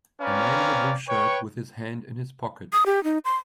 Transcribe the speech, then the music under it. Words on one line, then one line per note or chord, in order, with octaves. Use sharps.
A man in a blue shirt with his hand in his pocket.
C4 C#4 B4 D5 F5 A#5
B4 C#5 G5 C#6
D#6
G4
D#4
C6